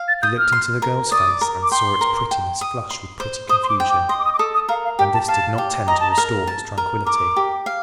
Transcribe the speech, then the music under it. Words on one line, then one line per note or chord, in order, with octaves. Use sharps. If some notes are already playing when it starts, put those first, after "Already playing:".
He looked into the girl's face and saw its prettiness flush with pretty confusion, and this did not tend to restore his tranquillity.
Already playing: F5
A6
D#6 G6
F6
C6
A#4
D5 D#6
A#4
D6
G5 C6
A#4
G5
D#6
C6
C5
C5 D#6
C6
D6
G5
D6
D#5 C6
D6
D#6
D6
A4 D#6
D#6
A#4 F5
F5
G4 G5
A5
F5 A5
G4
D#5 A#5
A5
A#5
A#4
A5
A#4
A#4 D6
G4
F5